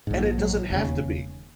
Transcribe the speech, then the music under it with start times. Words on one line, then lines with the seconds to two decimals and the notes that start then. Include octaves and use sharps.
and it doesn't have to be.
0.07 A#1 G#2
0.23 F3
0.38 F#3
0.70 E1 D#2 C#3